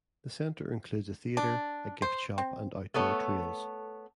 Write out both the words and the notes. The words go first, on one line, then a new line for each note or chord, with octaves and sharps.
The Center includes a theater, a gift shop and outdoor trails.
D4
C5
C4
A3 B3 A4 C#5